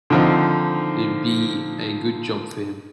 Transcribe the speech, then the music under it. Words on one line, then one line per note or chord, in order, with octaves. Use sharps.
It'll be a good job for him.
D3 D#3 F3 C4 D#4